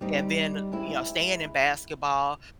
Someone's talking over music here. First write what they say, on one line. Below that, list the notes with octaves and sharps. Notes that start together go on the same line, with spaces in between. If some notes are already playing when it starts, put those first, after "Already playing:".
and then, uh, you know, staying in basketball,
G3 C4 D#4
G#3 C4 E4